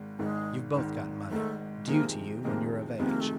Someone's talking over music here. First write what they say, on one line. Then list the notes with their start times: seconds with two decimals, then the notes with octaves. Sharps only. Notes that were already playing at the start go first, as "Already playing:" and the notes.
You've both got money--due to you when you're of age.
Already playing: G#1 G#2 D#3
0.19 G#1 G#2 D#3 G#3
0.75 G#1 G#2 D#3
1.31 G#1 G#2 D#3 A3
1.86 F2 C3 D#3 G#3 A#3 C4
2.43 F2 C3 D#3 G#3 A#3 C4
2.99 F2 C3 D#3 G#3 B3 C4
3.09 A#3
3.20 A3